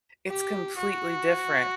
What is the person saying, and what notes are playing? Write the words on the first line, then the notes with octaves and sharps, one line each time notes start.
it's completely different
G4
F#4